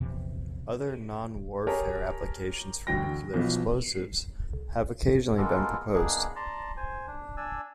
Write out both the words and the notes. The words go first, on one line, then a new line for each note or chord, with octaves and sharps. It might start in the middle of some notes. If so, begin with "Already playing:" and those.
Other, non-warfare, applications for nuclear explosives have occasionally been proposed.
A#1 E2 C3 E3
G4 G#4 A#4 C#5 A5
D2 E3 F#4 G5 A#6
B1 E3 F3 B3
C2
G#3 A#3 B3 F4 A4 A#4
A#3 B3 D4 D#4 G#4
D5 A5 A#5 C6
C5 G#5
D4
D4 D5 G#5 E6